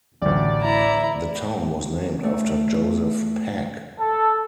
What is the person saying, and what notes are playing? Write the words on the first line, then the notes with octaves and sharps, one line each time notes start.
The town was named after Joseph Pack.
A1 D2 D5
E4 A#5
A3
A4